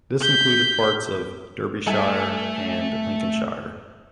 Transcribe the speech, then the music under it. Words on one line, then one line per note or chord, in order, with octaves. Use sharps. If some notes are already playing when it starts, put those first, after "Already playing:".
This included parts of Derbyshire and Lincolnshire.
G6 B6
G3 A3 A4 G#5